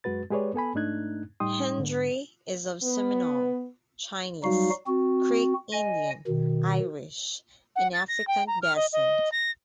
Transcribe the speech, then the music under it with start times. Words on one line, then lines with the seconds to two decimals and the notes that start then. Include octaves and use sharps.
Hendry is of Seminole, Chinese, Creek Indian, Irish and African descent.
0.04 F#2 G#3 F#4 B4 A6
0.31 G#3 G4 G#4 B4 C#5 D5
0.54 B3 A4 G#5 B5
0.75 G#2 A3 D4 D#4 F#6 G#6
1.40 A2 G3 D#4 G5 C6 D#6
1.78 G#2 D3
2.83 B3
4.43 F#3 G3 D#4 F#4 F5
4.87 C4 F#4
5.73 D#5 G#5
6.27 B2 D#3
7.76 F#5
7.93 A6
8.08 A#6
8.27 G5
8.47 A#5
8.62 F6
8.76 D#5
8.93 D#5
9.32 A#6